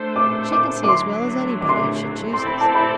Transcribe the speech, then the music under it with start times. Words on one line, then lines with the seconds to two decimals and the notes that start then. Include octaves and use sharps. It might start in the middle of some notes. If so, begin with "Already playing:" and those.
She can see as well as any body, if she chooses.
Already playing: A3 D4 A4 C5
0.16 D6
0.52 D6
0.84 D6
0.88 D3 F#3 A3 D4 C6
1.61 D6
1.69 C6
1.77 D6
2.33 C4 E4 A4 D5 C6
2.46 B5
2.61 A5
2.74 B5